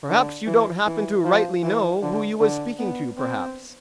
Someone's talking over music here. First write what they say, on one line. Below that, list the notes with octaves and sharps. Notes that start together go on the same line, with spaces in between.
Perhaps you don't happen to rightly know who you was speaking to, perhaps?
D3
E3
E3
F3
E3
D3
D3
B3
C4